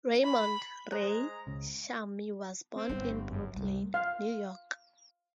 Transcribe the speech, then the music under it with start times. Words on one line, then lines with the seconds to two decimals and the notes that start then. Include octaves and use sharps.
Raymond "Ray" Shamie was born in Brooklyn, New York.
0.24 B5
0.92 G#3 C5 A#5
1.47 C#2 C#3
2.76 C4
2.89 G1 B3
3.29 F#2
3.56 C2 G3
3.94 F5